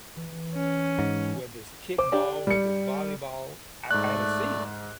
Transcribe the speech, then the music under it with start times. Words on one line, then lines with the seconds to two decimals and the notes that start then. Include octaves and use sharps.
whether it's kickball, whether it's volleyball, I I haven't seen it.
0.16 E3
0.54 C#4
0.99 G#2
1.98 C5 D6
2.12 D4 G4
2.47 G3 C#7
3.91 G#2 A3 D5 F#6